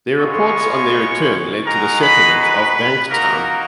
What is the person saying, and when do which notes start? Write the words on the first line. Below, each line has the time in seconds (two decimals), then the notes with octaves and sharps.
Their reports on their return led to the settlement of Banks' Town.
0.19 G#3 B3 F4 C#5 C#6
1.64 G#3 D#4 F#4 A#4 A#5
2.01 B4 B5
2.37 B4 B5
3.10 A#3 D#4 F#4 A#4 A#5